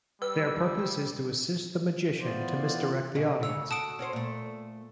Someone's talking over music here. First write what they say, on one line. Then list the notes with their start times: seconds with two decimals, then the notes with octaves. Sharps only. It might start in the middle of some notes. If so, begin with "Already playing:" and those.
Their purpose is to assist the magician to misdirect the audience.
0.22 G3 B4 E6
2.20 E3 B3 F4 C5 D5
3.15 B2 F3 G#4
3.43 D2 C#3 C#5 E6
3.71 F#4 A5 D#6 D7
3.99 C#4 F#4 C5
4.13 A#2 A3